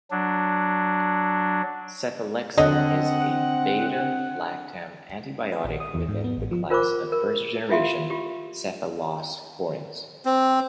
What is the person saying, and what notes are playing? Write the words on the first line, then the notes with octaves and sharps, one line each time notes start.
Cefalexin is a beta-lactam antibiotic within the class of first-generation cephalosporins.
F#3 D4
D3 C4 D#5 F#5
B4
A#1
D#6
E2
G#2
B3
A1
F3
F4 A#4 C5 B5 D6
A#4
E4 F4 E5 F5 C6
F4 G4
C4